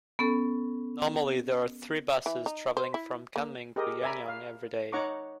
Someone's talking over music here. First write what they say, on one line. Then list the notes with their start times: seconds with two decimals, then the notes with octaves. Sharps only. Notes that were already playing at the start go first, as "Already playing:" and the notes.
Normally there are three buses travelling from Kunming to Yuanyang every day.
0.19 B3 C#4 A4
2.26 E3
2.46 D#4
2.77 C5
2.94 E4
3.36 A#3
3.76 G4 G#4 A#4 D#5
4.02 D5 E5 G#5 A#5 B5
4.28 F5
4.92 D#4 C#5 F#5 A#5 C#6 D6